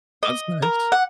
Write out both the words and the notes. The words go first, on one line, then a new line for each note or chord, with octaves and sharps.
That's nice.
D#5
A#4
F#5